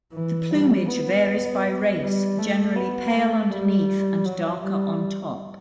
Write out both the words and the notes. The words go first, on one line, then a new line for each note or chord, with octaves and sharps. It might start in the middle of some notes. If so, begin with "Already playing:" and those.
The plumage varies by race, generally pale underneath and darker on top.
E3
G3
B3
G3
A3
B3
A3
G3
F#3
G3